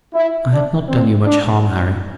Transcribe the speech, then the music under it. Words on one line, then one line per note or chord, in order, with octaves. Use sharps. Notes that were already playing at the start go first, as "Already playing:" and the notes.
I had not done you much harm, Harry.
E4
D4
C4
D4